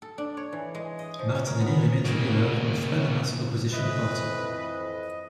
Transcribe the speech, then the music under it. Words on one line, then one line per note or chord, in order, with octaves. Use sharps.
Martinelli remains the leader of Panama's opposition party.
A4
D4
C#5
E3
G#3
D#5
F3
C#4
A#4
B3
C#3 A#3
F2 E3 B4 D#5